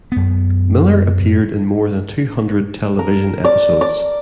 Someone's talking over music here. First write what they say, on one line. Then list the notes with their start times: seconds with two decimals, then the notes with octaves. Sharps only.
Miller appeared in more than two hundred television episodes.
0.12 F#2 B3
2.99 A#4
3.44 D5
3.81 D5